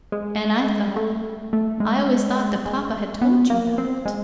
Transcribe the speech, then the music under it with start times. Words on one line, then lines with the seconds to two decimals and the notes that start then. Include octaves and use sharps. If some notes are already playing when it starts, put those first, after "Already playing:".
'And I thought--I always thought that papa had told you about it.'
0.12 G#3
0.96 A3
1.53 A3
1.80 G#3
2.65 G#3
3.21 B3
3.50 A#3
3.78 C4
4.06 G#3